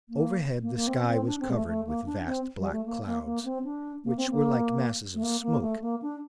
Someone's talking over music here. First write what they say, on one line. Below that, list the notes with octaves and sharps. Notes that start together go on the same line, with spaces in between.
Overhead the sky was covered with vast black clouds, which were like masses of smoke.
A#3
A#3
A#3
C4
C4
D4
C4
G3
A3
A3
A#3
D4
C4
G3
A3
A#3
A#3
A#3
C4
D4
A#3
C4
A#3
A3
A#3
A#3
A3
A#3
D4